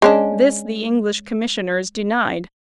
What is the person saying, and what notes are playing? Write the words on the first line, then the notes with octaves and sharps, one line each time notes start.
This the English Commissioners denied.
G#3 C#4 D4